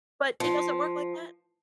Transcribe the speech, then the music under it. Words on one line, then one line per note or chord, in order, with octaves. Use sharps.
But it doesn't work like that?
F3